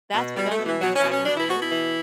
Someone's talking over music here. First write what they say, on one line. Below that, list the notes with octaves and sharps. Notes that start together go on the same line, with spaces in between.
That's what Dungeons& Dragons is?
B2
B2 G3
A3
B2
E3
B2 F#3
C#4
B2
C#4
B2 D4
E4
B2 F#4
E4
E3